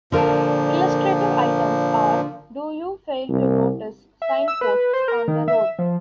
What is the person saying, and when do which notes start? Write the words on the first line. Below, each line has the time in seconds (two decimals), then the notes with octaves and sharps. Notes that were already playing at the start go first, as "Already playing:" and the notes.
Illustrative items are 'Do you fail to notice signposts on the road?
0.12 A#2 D3 F3 A#4 A5
3.29 C2
4.22 E5
4.48 E6
4.61 B4
4.93 C5
5.08 A#4
5.28 D#3
5.48 E5
5.79 F3